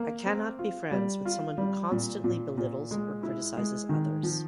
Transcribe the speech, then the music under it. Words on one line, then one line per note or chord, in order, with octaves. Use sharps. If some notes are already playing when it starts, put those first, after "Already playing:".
I cannot be friends with someone who constantly belittles or criticizes others.
Already playing: A#3
C4
F4
G3
F4
G3
A#2
A#2
A#2
G#3
E4
G#3
D#3
F3